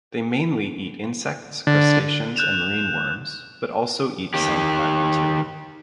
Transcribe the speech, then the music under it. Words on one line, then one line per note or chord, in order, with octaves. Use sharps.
They mainly eat insects, crustaceans and marine worms, but also eat some plant material.
D3
F#6 G6 E7 F7
D#3 G4